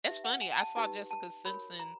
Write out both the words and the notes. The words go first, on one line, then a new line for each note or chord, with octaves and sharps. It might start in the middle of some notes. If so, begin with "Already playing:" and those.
it's funny, I saw Jessica Simpson,
D#4 G4 B4 E5
F#5
G#5
A5
D#4 G4 B4 A5
A5
F#4 A#4 C#5 B5
A#5